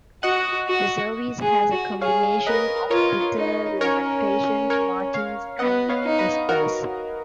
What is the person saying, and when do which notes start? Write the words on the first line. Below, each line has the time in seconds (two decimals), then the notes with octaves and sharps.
The service has a combination of Bitter Lamentations, Matins, and Vespers.
0.23 F#4 D#5 F#5
0.68 F#4
1.42 G#4
1.72 F#4
2.01 G#4 C#5 F5
2.47 A#4 B4 D#5
2.91 F4 A#4 C#5
3.36 D#4
3.81 C#4 A#4 C#5
4.70 A#4 C#5
5.14 C#5 F5
5.59 B3 D#5 F#5
5.89 C#5 F5
6.04 D#4
6.18 B4 D#5
6.49 F#4 A#4